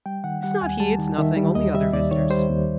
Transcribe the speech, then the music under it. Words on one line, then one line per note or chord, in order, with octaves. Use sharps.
"It's not he, it's nothing, only other visitors."
G3 G5
D#3 F#5
G3 F#5
D#2 G#5
G3 A5
D#3
D#3 E5
G3
D#2 D#5
G3 E5
D#2 D5
D#3 C#5
G3 C5
D#2